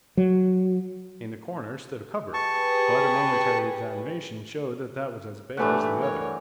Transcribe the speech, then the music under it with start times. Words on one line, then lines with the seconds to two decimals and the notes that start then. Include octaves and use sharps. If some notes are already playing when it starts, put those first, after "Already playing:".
In the corner stood a cupboard,--but a momentary examination showed that that was as bare as the other.
0.17 F#3
2.34 G4 G#4 B4 A5 C#6
5.57 G2 E3 A3 F#5
5.98 A#4 C#5